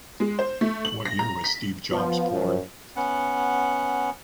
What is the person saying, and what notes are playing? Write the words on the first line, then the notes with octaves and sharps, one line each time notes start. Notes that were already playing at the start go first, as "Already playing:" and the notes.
What year was Steve Jobs born?
G#3
C5
A3
F#7
A#6
A#5
B6
F3 B3
F#2
B3 C#4 F#5